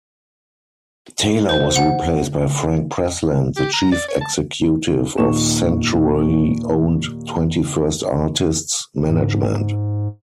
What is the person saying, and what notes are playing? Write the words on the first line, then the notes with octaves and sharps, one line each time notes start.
Taylor was replaced by Frank Presland, the chief executive of Sanctuary-owned Twenty-First Artists Management.
C5
F#5
G4
A#5
D5
C#5
A5
D#2 A#2 D#4 F4 C#6 E7
G#2